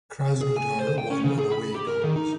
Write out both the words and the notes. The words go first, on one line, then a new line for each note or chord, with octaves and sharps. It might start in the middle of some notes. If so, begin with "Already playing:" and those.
Krasnodar won on away goals.
G#4
G#5
C5
G5
C#4
C#3
G#4
B5
G4
A#4
D#3
D#4